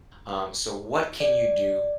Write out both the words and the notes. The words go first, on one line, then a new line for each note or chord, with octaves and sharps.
um, so what can you do
D5